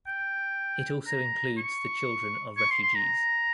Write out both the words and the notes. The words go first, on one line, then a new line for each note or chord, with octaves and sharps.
It also includes the children of refugees.
G5
A#5
C#6
C#6
C6
C6
A#5